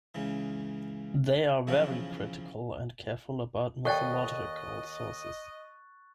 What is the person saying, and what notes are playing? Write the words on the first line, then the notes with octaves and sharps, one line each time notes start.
They are very critical and careful about mythological sources.
C#2 C#3 E3
B1 C#3 E3 F3 E4 C#5
D#2 A4 D5 D#5 G5 C#6 F#6 A6